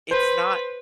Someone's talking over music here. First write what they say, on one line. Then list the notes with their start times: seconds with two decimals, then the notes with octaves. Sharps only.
it's not
0.11 B4 C5